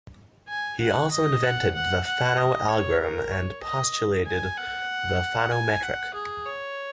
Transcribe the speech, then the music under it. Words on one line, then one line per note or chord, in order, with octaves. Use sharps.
He also invented the Fano algorithm and postulated the Fano metric.
G#5
F#5
D#5
F#5
F#5
F#5
D#5
C#5
A#4
C#5
D#5
G#5
F#5
G#5
F#5
G#4
C#5